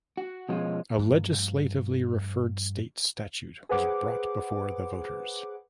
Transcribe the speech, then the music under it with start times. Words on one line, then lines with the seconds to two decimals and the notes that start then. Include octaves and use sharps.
A legislatively referred state statute was brought before the voters.
0.17 F#4
0.49 B2 F3 G#3 C#4 E4 F4
0.98 G2 F3 A#3
3.69 G#4 B4 C5 F#5 D6